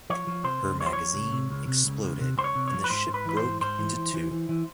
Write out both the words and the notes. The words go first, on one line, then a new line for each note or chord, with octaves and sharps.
Her magazine exploded and the ship broke into two.
F3 C#5
F3
C3 C5
C#2
F3 C#5
C5
F3 C#5
C#2
C3
C#2
C3
C#2
C#2
C3
C#2 C5
C#5
C3
C#5
F3
B4
G#2 C5
G#2
B4
E3 B4
C5
G#2
G#2 C5
E3
E3
E3
E3
E3